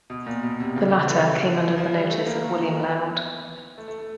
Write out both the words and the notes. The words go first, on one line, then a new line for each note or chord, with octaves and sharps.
The latter came under the notice of William Laud.
B2
A#2
B2
C3
C#3
D3
D3
E3
F3
G3
A3
A#3
A3
A#3
B3
A3
A3
A3